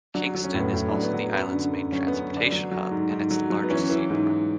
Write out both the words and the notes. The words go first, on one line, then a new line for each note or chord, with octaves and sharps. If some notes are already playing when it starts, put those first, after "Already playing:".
Kingston is also the island's main transportation hub and its largest seaport.
F#3 D4
F#3
C#4
A2
B3
A2
D4
F#3
B3
F#3
B3
F#2 B3
D3
F#2
F#3 C#4
B3
F#2
D3 D4
F#3
F#3
G#2
G#2
F#3
F#3
B3
E3 C#4
E3
G#2
G#2